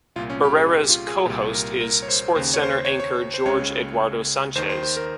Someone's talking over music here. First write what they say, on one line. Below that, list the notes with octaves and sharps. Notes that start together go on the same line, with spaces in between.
Barrera's co-host is SportsCenter anchor Jorge Eduardo Sanchez.
C2 A#2 F4
C#4
G4
G#4
G4
F4
G#4
C2 A#2 G4
A#4
A#4
C#5
C5
D#2 C#3 C5
C#5
C5
C#5
C5
C#5
C5
C#2 C#3 C#5
D#2 D#3 C5
C5
C5
A#4